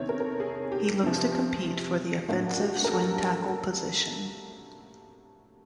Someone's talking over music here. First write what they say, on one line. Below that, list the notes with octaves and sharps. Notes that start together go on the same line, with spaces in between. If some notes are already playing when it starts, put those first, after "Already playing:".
He looks to compete for the offensive swing-tackle position.
Already playing: E2 C3 D#3 C#5
A#4
A#4
A4
G#4
G4
E2 C3 F3
A1 A2 F#3 A#3 D4 F#4
F#4
G4
A#4
A4